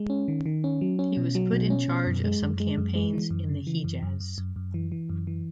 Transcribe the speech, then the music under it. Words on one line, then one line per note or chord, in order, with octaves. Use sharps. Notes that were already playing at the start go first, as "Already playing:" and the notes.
He was put in charge of some campaigns in the Hejaz.
Already playing: G#3
C#4
D#3
D#3
C#4
F#3
C#4
B2
F#3
B2
C#4
B2
F#2
G#3
F#2
G#3
F#2
G#3
E3
F#2
C#3
E3
F#2
F#2
F#2
F#2
F#2
E3
E3
F#2
E3